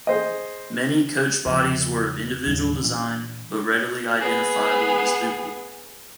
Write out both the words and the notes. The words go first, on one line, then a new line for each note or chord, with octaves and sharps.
Many coach bodies were of individual design, but readily identifiable as Duple.
G#4 C5 D#5
E2 C#3 F3
D#2 A2 D#3 G3
A#2 E3 C#4 D4
B3 G#4